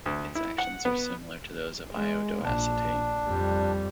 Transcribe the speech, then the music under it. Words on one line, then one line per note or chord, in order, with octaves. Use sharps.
Its actions are similar to those of iodoacetate.
D2
E4
F#5
B3
G#3
A#1 D4
F2 G3